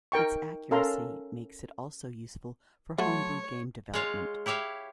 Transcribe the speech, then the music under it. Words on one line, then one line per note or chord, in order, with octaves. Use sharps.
Its accuracy makes it also useful for homebrew game development.
D#4 A#4 G5 C#6
C#4 A4 A#4 F5 A#5 C6
F#3 A3 F#4 C#5 A5 C6
G#3 F4 C#5 F5
E4 G4 C#5 E5 F5